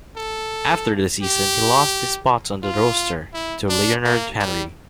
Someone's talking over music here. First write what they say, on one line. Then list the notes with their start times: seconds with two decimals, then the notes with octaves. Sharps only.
After the season, he lost his spot on the roster to Leonard Henry.
0.17 A4
1.23 G4
2.64 F4
3.34 E4
3.69 D4
4.04 A#3
4.38 G3